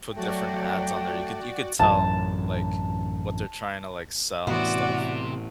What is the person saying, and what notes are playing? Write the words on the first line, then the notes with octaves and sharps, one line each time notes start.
put different ads on there. You could you could tell, like, what they're trying to, like, sell and stuff.
F#3 A3 F#4 D5 G5
A1 F#2 A5
A2 C3 E3 B3 F#4 C5 D5